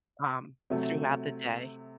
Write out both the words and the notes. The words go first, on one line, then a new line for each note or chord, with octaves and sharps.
um, throughout the day.
C3 F#3 A3